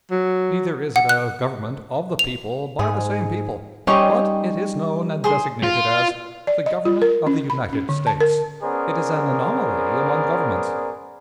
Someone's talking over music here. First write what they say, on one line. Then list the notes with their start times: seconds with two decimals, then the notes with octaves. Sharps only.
Neither is it a "government of the people by the same people"; but it is known and designated as "the Government of the United States." It is an anomaly among governments.
0.11 F#3
0.96 F#5
1.09 F#6
2.19 F7
2.79 G#2 G#4 D#6
3.87 G3 C#4 D#4 G4 C5 G5 C#6
5.24 G#4 C5 C6
5.63 F4
6.47 D5
6.66 D#5
6.85 F4
7.02 A#4
7.27 C#4
7.50 B5
7.73 C#4
7.89 D3
8.07 A5
8.20 A#4
8.63 B3 C#4 G#4 A#4 C5 D5